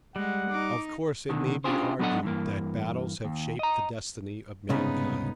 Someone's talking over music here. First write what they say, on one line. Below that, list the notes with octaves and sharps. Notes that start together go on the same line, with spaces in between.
Of course, it may be argued that battles have shaped the destiny of mankind.
G3 G#3 F#5
D#4 D6
B2 D3 D#3
C#4 D4 F4 G4 G#4 C5
F#3 B3 D4 A4 D#5 F#5
G2 E3 A#3
D#2
D#5 A#5
C2 G#2 C#3 B3 D#4